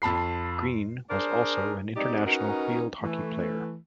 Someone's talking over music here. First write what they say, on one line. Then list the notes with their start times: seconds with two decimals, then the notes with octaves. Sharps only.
Greene was also an international field hockey player.
0.02 F2 A5 B5 C7
1.10 D4 G#4 A#4 C5 D5
1.96 G#2 C4 D#4 G4 D5
2.27 C#4 D#4 F#4 A#4 B4 D#5
3.02 E3 A3